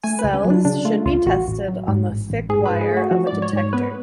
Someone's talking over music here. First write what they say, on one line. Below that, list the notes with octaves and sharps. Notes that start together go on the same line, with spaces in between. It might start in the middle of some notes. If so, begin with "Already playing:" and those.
Cells should be tested on the thick wire of a detector.
A3 G#5
C#2 B4
C#4
F#3
D4
C#3 D4
A3 F4
C#2 F4
A1 F#4
A1
F#3
G#2
A1
A1
G#2 G#4
G#2 B4
G#4
A3
F#4
F3 F#4
D5
G#2
C#5
G#2 C#5
B3 B4